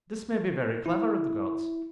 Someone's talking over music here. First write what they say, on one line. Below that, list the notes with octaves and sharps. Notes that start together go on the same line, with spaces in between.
This may be very clever of the gods.
E4